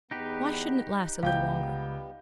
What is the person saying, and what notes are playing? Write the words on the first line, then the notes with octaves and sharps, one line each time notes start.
"Why shouldn't it last a little longer?"
E2 B3 D#4 G4 B4
C#2 G3 B3 F5 G5 G6